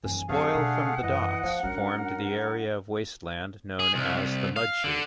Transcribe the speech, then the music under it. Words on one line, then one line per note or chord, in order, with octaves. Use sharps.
The spoil from the docks formed the area of wasteland known as the Mudchute.
D#1 F#2 E3 G#5
F#2 C3 A3 G#4 F5 F#5
B2 D3
F#2 E3 D#5
F3 A#3
F#2 G3 D4 A#4
G#4
C2
F5
D3